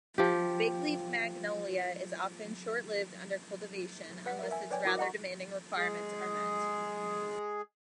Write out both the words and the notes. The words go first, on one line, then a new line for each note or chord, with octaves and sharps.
Bigleaf magnolia is often short-lived under cultivation unless its rather demanding requirements are met.
F3 G4
B4 F#5 B6
A#4 E5
E5 G#5
B4 C#5 D5 G5 G#5
E4 F#4 A#4 D6
D#5 F#5 A#5 C#6
G#3 G#4